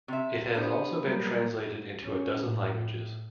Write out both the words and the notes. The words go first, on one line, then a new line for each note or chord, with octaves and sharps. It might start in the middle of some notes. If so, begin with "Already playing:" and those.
It has also been translated into a dozen languages.
C3 E5
B3 D4 G4 C5
F#3 G3 A#3
C#4
A2